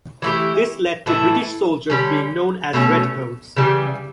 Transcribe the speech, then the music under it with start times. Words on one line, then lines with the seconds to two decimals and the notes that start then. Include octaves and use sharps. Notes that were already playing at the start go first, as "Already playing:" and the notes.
This led to British soldiers being known as red coats.
0.22 E3 A3 E4 G4
1.06 A2 E3 A3 E4
1.90 D3 G3 C#4
2.73 B2 A3 C#4
3.57 C#3 E3 G3